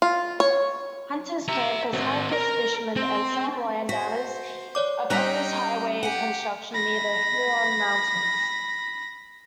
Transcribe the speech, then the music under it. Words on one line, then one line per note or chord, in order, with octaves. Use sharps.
Hunters, campers, hikers, fishermen and some landowners opposed highway construction near the Huron Mountains.
F4
C#5
E5 A#5
C4 F#4
A#4
C4
F#4 C5 B6
C#5 D5 D6
G3 C#4 D#4 G5 A#5 F#6 B6
G4 F#5 G#5
B5 A#6